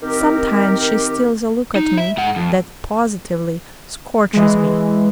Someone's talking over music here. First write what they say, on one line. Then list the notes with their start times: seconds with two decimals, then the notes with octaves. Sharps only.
Sometimes she steals a look at me that positively scorches me.
0.02 D#3 C4 G4 A#4
1.76 D#4
1.98 E5
2.17 G#2 F#5
2.36 F2
4.33 E3 G#3